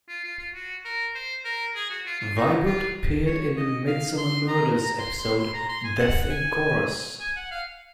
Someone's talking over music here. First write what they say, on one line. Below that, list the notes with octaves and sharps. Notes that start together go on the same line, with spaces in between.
Vibert appeared in the "Midsomer Murders" episode "Death in Chorus".
F4
F4
F4
F#4
A#4
C5
A#4
G#4
F#4
F4
F4
D#4
F4
C#5
D#5
F5
C6
A#5
A#5
C6
C6
C6
A#5
C6
G#5
F#5
G#5
G#5
F#5
F5